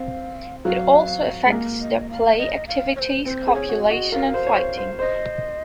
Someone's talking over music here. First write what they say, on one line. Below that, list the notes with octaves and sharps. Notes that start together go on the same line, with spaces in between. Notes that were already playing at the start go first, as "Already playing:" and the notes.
It also affects their play activities, copulation, and fighting.
Already playing: C4 F5
F#3 F5
G#3
A#3
D#5
F5
D#5
F5
C#5
C5
C4 C5
G#4
C#5
F#4
F5
F#4 D#5
A#4 F5
C5
C#5
C5
C5
C5 D#5